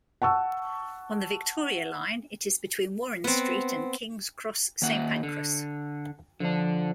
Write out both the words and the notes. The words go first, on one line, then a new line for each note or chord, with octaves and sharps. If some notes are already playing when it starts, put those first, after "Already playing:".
On the Victoria line it is between Warren Street and King's Cross Saint Pancras.
F#5 A5 C#6 E6
B3 C4
D#3 A#3 F#5
D3
D3 F3 D4